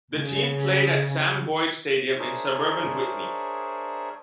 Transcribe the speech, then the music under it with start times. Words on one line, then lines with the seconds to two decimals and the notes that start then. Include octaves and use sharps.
The team played at Sam Boyd Stadium in suburban Whitney.
0.16 C#3
2.19 D4 G#4 A#4 C5 C#5 E5